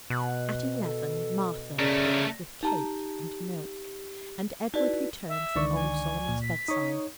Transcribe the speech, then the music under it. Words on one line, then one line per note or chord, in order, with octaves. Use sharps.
At eleven Martha appeared with cake and milk, and Edward returned from old Solomon's bedside.
B2 F#6
A4
C#3 A3 A#4 D5
D#4 G4 A5 A#5
D#4 E4 F#4 B4 D5
E5
C#2 D3 D#3 D5 C#6
G#5
A#2
B6
D#4 C#5 C#6 D#6